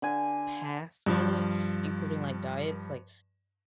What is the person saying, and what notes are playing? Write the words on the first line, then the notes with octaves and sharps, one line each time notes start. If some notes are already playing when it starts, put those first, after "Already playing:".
passed on it, including, like, diets. Like,
D3 G#5
G2 F3